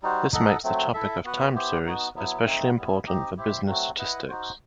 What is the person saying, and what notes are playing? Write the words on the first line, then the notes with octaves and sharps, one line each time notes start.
This makes the topic of time series especially important for business statistics.
G3 D#4 F#4 C5
D#4 A4 D#5 F#5
F#3 A3 C4
E4 A4 E5
B3 F#4 B4 F#5
B3 E4 G4 C5
B3 D#4 F#4
F#3 B3 E4
A3 C4 D#4
G3 B3 E4
C4 D#4 G4 D#5
E4 G4 C5 E5
F#3 A3 C4 F#4
E4 B4 D#5 F#5
D#4 F#4 C5